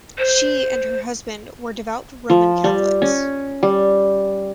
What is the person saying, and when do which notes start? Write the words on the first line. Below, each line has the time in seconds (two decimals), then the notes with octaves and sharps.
She and her husband were devout Roman Catholics.
0.18 C5
2.30 F3
2.64 G3
3.02 C#4
3.63 G3